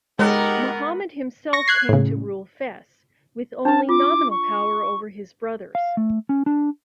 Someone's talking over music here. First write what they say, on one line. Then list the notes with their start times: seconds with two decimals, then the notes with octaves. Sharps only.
Muhammad himself came to rule Fes, with only nominal power over his brothers.
0.19 G#3 B3 D#4 G4 A#4 F#5
1.53 C#6 A#6
1.68 F#6 G#6 C7
1.89 A2 C#3
3.65 D4 B4 A5
3.89 F4 D6
4.31 C#6
5.75 F5
5.97 A3
6.29 C#4
6.46 D4